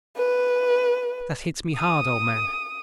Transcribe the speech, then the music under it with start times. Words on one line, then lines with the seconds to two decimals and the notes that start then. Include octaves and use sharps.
That hits me hard, old man.
0.16 B4
1.77 D#6